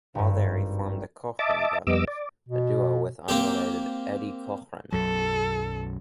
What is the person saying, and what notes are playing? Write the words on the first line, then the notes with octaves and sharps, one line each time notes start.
While there he formed The Cochran Brothers, a duo with unrelated Eddie Cochran.
G#1 G2
D#5 E5 A5 D6
F2 G3 B3 D#5 D6 E6
D5
B2
A#3 C4 G4
B1 F#2 F#3 A4